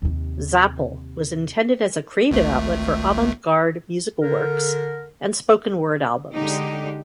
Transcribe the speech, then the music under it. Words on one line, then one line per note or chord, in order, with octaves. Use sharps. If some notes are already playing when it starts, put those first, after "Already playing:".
Zapple was intended as a creative outlet for avant-garde musical works and spoken-word albums.
D#2 C3
G#1 C#2 A3
D3 A#4
D3 G#3 D#4 G4